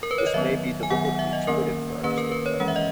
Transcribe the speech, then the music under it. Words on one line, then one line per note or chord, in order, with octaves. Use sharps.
This may be deliberately exploited for artistic effect.
A#4
B4
C#5
D#5
D#3 F#3 B3 E5
G#5
D#3 F#3 B3 F#5
F#5
E5
D#5
D#3 A#3 C#4 A#4
D#3 A#3 C#4 B4
A#4
B4
C#5
E3 G#3 C#4 F#5
E5
D#5